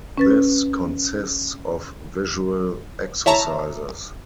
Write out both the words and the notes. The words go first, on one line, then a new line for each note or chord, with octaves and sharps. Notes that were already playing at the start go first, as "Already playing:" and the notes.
This consists of visual exercises.
C#4 B4 A6
E4 C#5 E5 A5 A#5